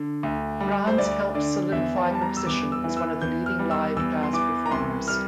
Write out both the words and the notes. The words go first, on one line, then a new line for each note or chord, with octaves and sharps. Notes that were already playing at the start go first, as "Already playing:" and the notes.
Granz helped solidify her position as one of the leading live jazz performers.
Already playing: D3
D2
G3
C5
D2 D5
D3 D5
E2 E5
A5
G3 A5
A#5
E6
E2 D6
E6
E3
E6
E2 G6
F6
G3
E6
E2 E6
C6
E3 D6
A#5
C2 C6
G3 F6